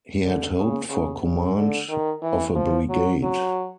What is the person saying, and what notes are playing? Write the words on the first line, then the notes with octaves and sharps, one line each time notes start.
He had hoped for command of a brigade.
D3
C#3
C#3
C#3
D3
D#3
E3
F3
F#3
F#3